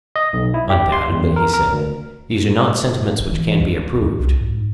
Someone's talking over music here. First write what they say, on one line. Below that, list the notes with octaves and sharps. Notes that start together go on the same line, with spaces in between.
Undoubtedly, he said, these are not sentiments which can be approved.
D#5
B1
E4
G4
C6
E2
A#4
A#4
D2
G#1
E3
D2
C2
G#2